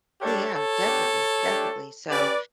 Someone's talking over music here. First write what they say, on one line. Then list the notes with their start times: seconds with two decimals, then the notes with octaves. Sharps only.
Oh, yeah, definitely, definitely, so,
0.21 G3 D4 G4 A4 C#5
0.53 A4 C#5
0.84 B3 D4 G4
1.47 A3 D4 G4
2.11 C#4 G4 B4 D5